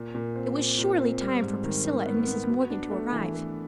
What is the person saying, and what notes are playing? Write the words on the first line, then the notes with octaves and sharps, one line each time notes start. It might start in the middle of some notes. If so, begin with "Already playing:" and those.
It was surely time for Priscilla and Mrs. Morgan to arrive.
Already playing: A#2
A#2
C4
C4
A#2
C4
G3
G#2
D#3
D#3
B3
B3
F#4
D4
A3
E3
A3